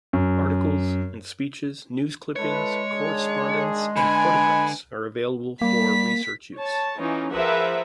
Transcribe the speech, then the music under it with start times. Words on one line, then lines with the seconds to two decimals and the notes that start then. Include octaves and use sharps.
Articles and speeches, news clippings, correspondence, and photographs are available for research use.
0.13 F#2
2.36 G#3 E4 A4 B4 C#5
2.93 D#3 D4 G#4
3.96 D3 B4 D#5 G#5 B5
5.61 G3 A#3 B6
6.57 C#5 A5
6.98 E3 C#4 D#4 F4
7.33 F3 G#4 A#4 B4 E5 F#5